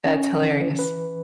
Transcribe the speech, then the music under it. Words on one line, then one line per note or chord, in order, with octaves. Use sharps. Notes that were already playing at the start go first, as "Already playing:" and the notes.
That's hilarious.
C#4
E3
B4